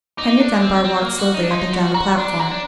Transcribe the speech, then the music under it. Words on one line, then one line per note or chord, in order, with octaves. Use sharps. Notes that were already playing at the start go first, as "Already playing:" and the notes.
Henry Dunbar walked slowly up and down the platform.
D#4 D6
D4
C4
C4
A#3
F#4
D#4
D4
D#4 C6
F#4
F#4 A#5
D4 C6
F#4 A#5
D4